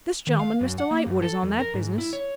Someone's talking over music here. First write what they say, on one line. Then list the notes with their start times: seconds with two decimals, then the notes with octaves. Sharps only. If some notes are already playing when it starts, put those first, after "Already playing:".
'This gentleman, Mr Lightwood, is on that business.'
0.27 D#3
0.39 F5
0.61 F#2
0.78 F#5
0.91 A#3
1.06 F#2
1.22 A4
1.43 F2
1.59 A#4
1.74 G#2
1.98 E4
2.13 C#5